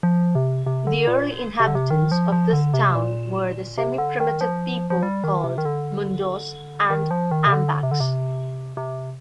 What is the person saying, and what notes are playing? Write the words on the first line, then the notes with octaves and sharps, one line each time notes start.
The early inhabitants of this town were the semi-primitive people called "Mundos" and "Ambaks".
F3
C3
C3
D3
A#2
C3
D3
C3
D#3
F3
F3
D3
C3
A#2
C3
D3
D#3
F3
F3
G3
D#3
C3
D#3
D3
D#3
F3
D#3
C3
D3
C3
D3
C3
C3